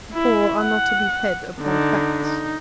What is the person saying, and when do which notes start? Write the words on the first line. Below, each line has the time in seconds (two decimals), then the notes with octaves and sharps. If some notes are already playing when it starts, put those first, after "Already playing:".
The poor are not to be fed upon facts.
0.13 E4
0.61 F#5
1.61 D3 D#4
2.25 D#4